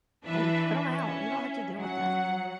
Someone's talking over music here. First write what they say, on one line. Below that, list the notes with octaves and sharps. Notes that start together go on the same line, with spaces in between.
An put 'em out, you don't have to deal with that.
E3 D4 B4 E5
C#4 E5
F#3 F#5